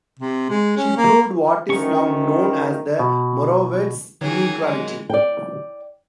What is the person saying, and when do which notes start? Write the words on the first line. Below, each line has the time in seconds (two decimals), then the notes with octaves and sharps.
She proved what is now known as the Morawetz Inequality.
0.19 C3
0.50 G#3
0.77 C#4
0.97 A#3
1.69 D2 D#3 C#4 C#6
2.99 B2
4.21 F#2 D#3 E3 F#3 G#4
4.64 G#3
5.10 D5 G5